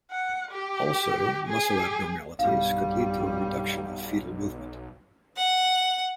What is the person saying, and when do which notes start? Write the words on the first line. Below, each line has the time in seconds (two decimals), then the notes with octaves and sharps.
Also muscle abnormalities could lead to a reduction of fetal movement.
0.11 F#5
0.51 G4
1.47 G#4
2.39 B1 G2 G3 F5
5.37 F#5